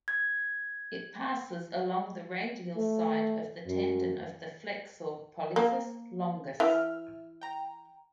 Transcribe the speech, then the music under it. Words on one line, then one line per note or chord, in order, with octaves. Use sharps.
It passes along the radial side of the tendon of the flexor pollicis longus.
G#6
A3
F#2
A#3
E3 E5 F6
G5 A#5